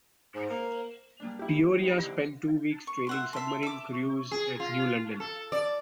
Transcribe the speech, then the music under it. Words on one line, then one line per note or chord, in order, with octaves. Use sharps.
"Peoria" spent two weeks training submarine crews at New London.
G#2 C5
A#3
G3 A#3 D4
E4 G4
D#4 C5
D3 D5
C#6
E5 F#5 C6
E5 A5 C6
E5 D6
C#6
G#4
F4
A4
D5